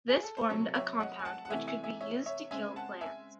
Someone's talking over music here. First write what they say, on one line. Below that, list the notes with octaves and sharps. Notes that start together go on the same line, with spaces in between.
This formed a compound which could be used to kill plants.
G#4
A4
C5
C3 F#3 A3 A4 C#5
C#5 E5
D#5 F#5
G#5
F#5 A5
F#5
C3 E3 A3 E5 G#5
E5 G#5
E5 G#5
C#5 E5
C#5 E5
C#3 G#3 C4 E5 G#5
F#5 A5
E5 G#5